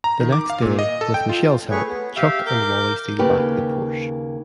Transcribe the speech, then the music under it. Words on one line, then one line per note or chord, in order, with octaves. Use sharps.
The next day, with Michelle's help, Chuck and Wally steal back the Porsche.
A#5
D#3
D6
F5
A#2
D#5
A4
G5
F4
A3 G#4 B4 C#5 C#6
B3
G4 E5 F5
A#4 D6 G6
D#2 C#3 A#3 G4 B4